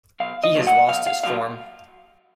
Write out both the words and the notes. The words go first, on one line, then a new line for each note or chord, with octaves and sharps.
He has lost his form.
B1 F5
D#5
A#2 F#3
F#5
B1 F5
F5
A#2 F#3 F5